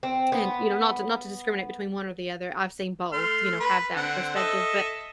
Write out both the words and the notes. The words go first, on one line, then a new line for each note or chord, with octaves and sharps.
and, you know, not to not to discriminate between one or the other, I've seen both, you know, have that perspective, but,
C4
B3
A3 C6 F6
B4 B5
D3 C4 F#5
A4 D#5 E5